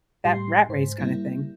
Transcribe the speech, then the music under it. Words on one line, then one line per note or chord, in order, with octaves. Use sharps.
that rat race, kinda thing.
A2 G3 G4 C6 C7
G#2 C5
G3 A#3 E4